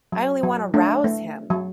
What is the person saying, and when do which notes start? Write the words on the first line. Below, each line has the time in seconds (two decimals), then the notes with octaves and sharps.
I only want to rouse him.
0.12 F#3
0.43 F#3
0.74 A3 D4
1.04 A3
1.50 F#3